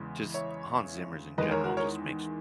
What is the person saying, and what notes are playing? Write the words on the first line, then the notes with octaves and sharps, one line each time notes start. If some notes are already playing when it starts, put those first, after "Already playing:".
just Hans Zimmer's in general just makes
Already playing: E2 C#3 G#3
C#5 E5
E2 D#3 G#3 B4 D#5
A#4 C#5
F#4 A#4
A#4 C#5